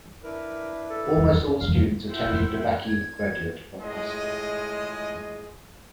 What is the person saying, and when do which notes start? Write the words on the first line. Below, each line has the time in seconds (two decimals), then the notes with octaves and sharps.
Almost all students attending DeBakey graduate from high school.
0.23 D4 E4 A#4 B4
0.90 A4
1.60 F5
2.09 E4 F4 C5 E5 F#5 G5
2.83 G#6
3.81 A2 G#3 F4 G#4 D#5